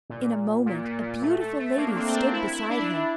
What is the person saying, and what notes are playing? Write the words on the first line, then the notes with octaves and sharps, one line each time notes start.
In a moment a beautiful lady stood beside her.
A#2
A#2
A#2
A#2
A3
A3
A3
A#3
D4
C4
C4
D4
E4
E4
D4
D4